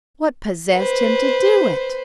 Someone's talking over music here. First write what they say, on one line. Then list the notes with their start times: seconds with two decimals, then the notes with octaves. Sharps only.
What possessed him to do it?
0.75 B4 C5